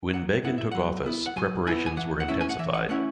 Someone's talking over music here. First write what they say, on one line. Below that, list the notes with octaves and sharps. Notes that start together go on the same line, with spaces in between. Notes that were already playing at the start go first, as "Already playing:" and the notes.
When Begin took office, preparations were intensified.
F#3 F#5
B3 E4 F#5
E5
F#3 F#5
B3 E4
F#5
F#3 G#5
B3 E4 G#5
G#5
E3 F#5
F#5
A3 C#4 E4 E5
G#5
F#5
E3 E5
F#5
A3 C#4 E4 F#5